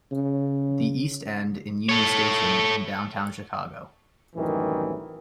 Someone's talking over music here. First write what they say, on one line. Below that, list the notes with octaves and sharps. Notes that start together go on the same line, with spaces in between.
The east end is Union Station in downtown Chicago.
C#3
A4 C#5
C2 F#2 A2 D#3 E3